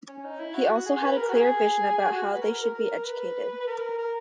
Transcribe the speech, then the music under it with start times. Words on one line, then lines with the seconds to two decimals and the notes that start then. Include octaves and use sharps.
He also had a clear vision about how they should be educated.
0.08 C#4
0.24 D#4
0.39 E4
0.54 F#4
0.86 G#4
1.02 B4
1.17 A#4
1.29 F#4
1.33 G#4
2.04 G#4
2.11 F#4
2.34 B4
2.42 A#4
2.57 A#4
2.74 A#4
3.05 B4
3.60 B4
3.67 A#4
3.98 A#4